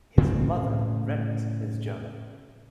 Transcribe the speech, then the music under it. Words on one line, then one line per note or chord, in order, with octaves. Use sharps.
His mother, Renate, is German.
A2 C#3 C4